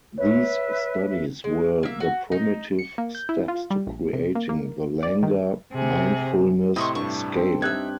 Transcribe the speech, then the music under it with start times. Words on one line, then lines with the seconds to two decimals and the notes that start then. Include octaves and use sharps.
These studies were the primitive steps to creating the Langer Mindfulness Scale.
0.18 B4 C#5 E5
1.44 G#3
1.83 A#3 E5
2.00 F#4
2.32 D#4
2.79 C#7
2.98 A#3
3.15 G6
3.29 E4
3.48 F4
3.70 G3
3.87 A#1
4.13 C3
4.35 A#3
4.49 A#3
5.03 D5
5.23 D#3
5.73 C3 G#4
6.76 A2 C3 E4 D#5 C6 C#6
6.95 G2 A5 C#6
7.36 C4
7.62 D#4 G4 E5 F#6 G#6